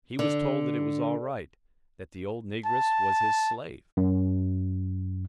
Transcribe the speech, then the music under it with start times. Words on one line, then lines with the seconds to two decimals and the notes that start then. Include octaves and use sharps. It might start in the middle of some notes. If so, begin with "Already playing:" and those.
He was told that it was all right; that the old negress was his slave.
0.19 D3
2.66 A5
3.97 F#2